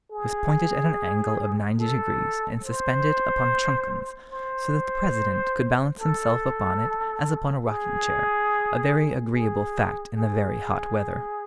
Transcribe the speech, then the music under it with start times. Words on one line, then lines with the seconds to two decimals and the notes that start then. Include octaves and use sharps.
It was pointed at an angle of ninety degrees, and suspended upon truncheons, so that the president could balance himself upon it as upon a rocking-chair, a very agreeable fact in the very hot weather.
0.11 G#4
1.79 A4
2.63 C5
4.30 C5
5.98 A4
7.66 G#4
9.33 G#4
10.16 G#4